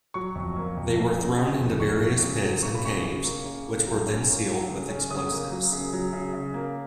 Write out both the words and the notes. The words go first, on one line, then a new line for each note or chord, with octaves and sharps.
They were thrown into various pits and caves, which were then sealed with explosives.
F#3 C#6
F2
A#3
F2
A#3
C#3
C#3
F2
F2 C#6
A#3
C#3
F#3
A#3 C#6
B5
C#3 C#6
C#3
A#3
C#3
A#3
F#3
C#4
A#3
F#3
C#3
C#4
C#3 D#6
A#3
F#3
C#3
F#3
C#3
C#3
A#3